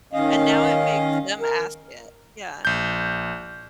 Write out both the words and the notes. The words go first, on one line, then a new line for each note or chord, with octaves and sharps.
And now it makes them ask it. Yeah.
D#3 C#4 D#5 F5
A#4
A#1 G6